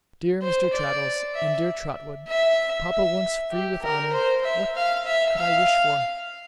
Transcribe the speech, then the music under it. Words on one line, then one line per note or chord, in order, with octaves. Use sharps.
Dear Mr. Traddles and dear Trotwood, papa once free with honour, what could I wish for!
C5
D5
E5
E5
E5
G4
A#4
C5
E5
F5
E5
F5